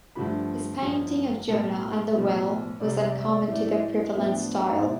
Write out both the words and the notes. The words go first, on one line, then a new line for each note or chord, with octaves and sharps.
His painting of "Jonah and the Whale" was uncommon to the prevalent style.
G2 D3 F3 A3 B5
G1 F2 D3
B1 A2 G3 B3 A5
B1 A2 F3 B3
C2 C3 G3 D5
E5
D5
E5
D5
E5
A2 E3 A3 D5
E5
D5
A2 F3 B3 D4 E5
C3 E3 B3 E4 D5